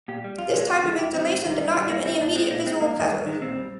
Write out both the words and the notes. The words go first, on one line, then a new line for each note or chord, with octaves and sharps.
This type of installation did not give any immediate visual pleasure.
A#2 G4
G3
F2 F4
D3 F3 G#3
F2
D3 F3 G#3
G#2 G4
D#3 G3 C4
G#2
D#3 G3
G2
D3
G3
G2 A#3
D3 G3 C4
A#2 D4
G#3 C4
A#2 D#4
G#3 C4
G2 A#3
D#3 G#3
G2
D#3 G#3
A#2 C4
G3